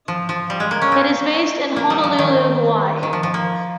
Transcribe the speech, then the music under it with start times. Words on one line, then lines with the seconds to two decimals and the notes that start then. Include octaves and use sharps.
It is based in Honolulu, Hawaii.
0.08 F3
0.29 F3
0.50 G3
0.60 G#3
0.71 A#3
0.82 C#4
0.92 C4
1.76 A#3
1.90 G3
2.04 F3
2.19 D#3
3.03 D#3
3.13 F3
3.23 F3
3.34 A#3